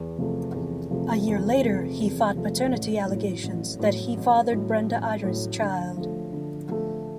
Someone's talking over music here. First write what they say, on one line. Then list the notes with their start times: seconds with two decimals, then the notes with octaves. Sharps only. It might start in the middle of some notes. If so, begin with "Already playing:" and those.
A year later, he fought paternity allegations that he fathered Brenda Ayres' child.
Already playing: E2
0.18 C3 F3 A3
0.54 E2
0.91 C3 F3 A3
1.27 E2
1.63 C3 F3 A3
2.00 E2
2.35 C3 F3 A3
2.72 A1
3.07 A2 F#3
3.43 A1
3.79 A2 F#3
4.17 A1
4.52 A2 F#3
4.89 A1
5.24 A2 F#3
5.60 D3
5.97 F3 A3
6.33 D3
6.69 F3 A3